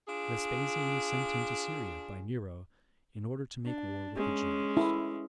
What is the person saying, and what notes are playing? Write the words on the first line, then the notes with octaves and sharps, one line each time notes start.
Vespasian Is Sent Into Syria By Nero In Order To Make War With The Jews.
D4 F4 G#4
D4
G#3 C#4
E4